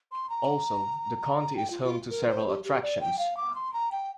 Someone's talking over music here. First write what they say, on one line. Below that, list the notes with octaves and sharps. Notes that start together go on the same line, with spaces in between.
Also, the county is home to several attractions.
C6
A#5
G5
F4
F4
A#4
C5
G4
G4
D5
G5
F5
D6
C6
A#5
G5